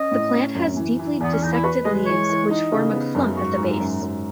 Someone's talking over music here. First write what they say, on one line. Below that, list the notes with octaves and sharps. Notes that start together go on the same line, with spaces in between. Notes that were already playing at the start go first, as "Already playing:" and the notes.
The plant has deeply dissected leaves which form a clump at the base.
Already playing: C#4 D#5
A2
C#4
F#2
E3
E3
E2 B3
C#4
E2 D#4
E4
F#4 B4
G#3 D#5
E3 C#5
E3
D#4
C#3
B3
F#2
G#2 F#4
G#2
F#2
F#2